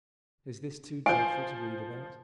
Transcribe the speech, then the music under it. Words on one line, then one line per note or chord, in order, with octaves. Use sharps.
Is this too dreadful to read about?
F3 F5 G#5